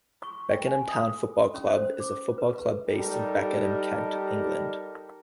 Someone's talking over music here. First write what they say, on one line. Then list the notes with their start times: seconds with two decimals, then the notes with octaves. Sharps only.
Beckenham Town Football Club is a football club based in Beckenham, Kent, England.
0.23 C#6
0.51 G5
0.67 G#5
0.89 D#6
1.54 C#4
1.67 C5
2.00 D6
2.38 B4
2.87 G3 D#4 G4 A4 A#4